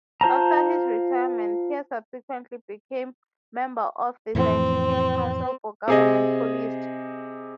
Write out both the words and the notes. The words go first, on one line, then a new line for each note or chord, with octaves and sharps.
After his retirement Teer subsequently became member of the Scientific Council for Government Policy.
F4 C5 A5 A#5
F2 A2 E3 C4
C3 G#4 D#5